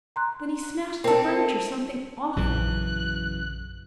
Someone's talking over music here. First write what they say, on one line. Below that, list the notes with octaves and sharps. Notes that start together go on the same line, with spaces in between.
Then he smashed the furniture something awful.
A#5 C6 F#6
C4 A4 A#4
A#1 F#2 C#3 E3 F#6